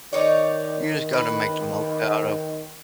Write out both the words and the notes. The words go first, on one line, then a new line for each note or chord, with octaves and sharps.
you just gotta make the most out of
D#3 D#4 C#5 D5
B4